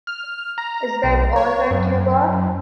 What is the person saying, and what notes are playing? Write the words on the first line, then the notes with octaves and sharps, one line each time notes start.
Is that all that you got?'.
F6
A#5
B1
C#5
F#2